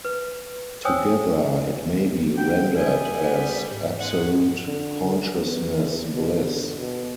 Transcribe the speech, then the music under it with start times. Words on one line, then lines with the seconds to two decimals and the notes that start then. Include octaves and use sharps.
Together, it may be rendered as "Absolute Consciousness Bliss".
0.05 B4
0.85 C5 C#5 G5 G#5 D#6 E6
2.36 F#5 G5
2.77 G3 B3 E5 G#5
3.36 B6
3.71 G#2
4.00 G#3 F#5
4.66 D3
5.04 D3
5.44 B3
5.76 E2
6.14 B2
6.47 D3
6.79 B2